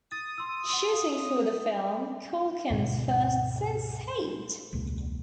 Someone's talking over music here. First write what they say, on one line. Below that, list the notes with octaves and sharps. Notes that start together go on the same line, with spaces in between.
Shooting for the film, Culkin's first since Saved!
D#6 A6
C6 E6
F#5 C6
F5
D2 G#2 B2
E1 C#2 A#2 G#3